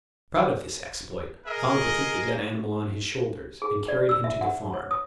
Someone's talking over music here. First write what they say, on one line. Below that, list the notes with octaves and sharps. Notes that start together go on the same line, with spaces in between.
Proud of this exploit, Vampa took the dead animal on his shoulders, and carried him to the farm.
G#4 A#4 D#5
G#4
D5
E6
E5
F#5
C#5
D#6